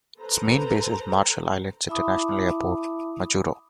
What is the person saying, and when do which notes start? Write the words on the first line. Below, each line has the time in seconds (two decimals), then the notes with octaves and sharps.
Its main base is Marshall Islands International Airport, Majuro.
0.19 A4 B4 C5 A#5
1.89 E4 E5 A5 B5 D6 D#6